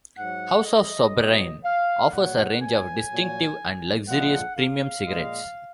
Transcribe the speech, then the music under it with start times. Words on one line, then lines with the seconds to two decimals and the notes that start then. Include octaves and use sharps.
House of Sobranie offers a range of distinctive and luxurious premium cigarettes.
0.17 G#2 F#3 F#5
0.66 D#5
1.15 B2 F#3
1.64 F5
2.12 A#2 F#3 F#5
2.61 G#5
3.10 A#2 F#3
4.07 A#2 F3 G#3 F#5
4.56 F5
5.04 A#2 G#3